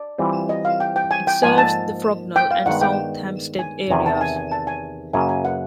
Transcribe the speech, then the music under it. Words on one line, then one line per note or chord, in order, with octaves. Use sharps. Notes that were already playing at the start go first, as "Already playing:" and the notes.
It serves the Frognal and South Hampstead areas.
Already playing: D5
E3 G3 C4 F4
D#5
F5
G5
G5
G#5
G5
G#2 F3 A#3 G#5
A5
G5
F5
G2 D#3 G#3 B3 F#5
G5
G#5
E2 C3 D#3 G#5
A5
G#5
G#5
A5
G#5
F#2 C#3 F#3 A#3 G#5
G#5
F#5